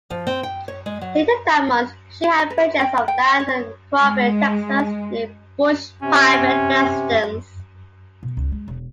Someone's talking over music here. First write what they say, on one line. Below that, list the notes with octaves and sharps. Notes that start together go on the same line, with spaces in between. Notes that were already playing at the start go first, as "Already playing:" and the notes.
Later that month, Sheehan purchased of land in Crawford, Texas, near Bush's private residence.
F3
C4
G5
C#5
G#3
F#3
B4
G5
G5
C#5
G#3
C3 C#4
B2
C#2
G#3
E1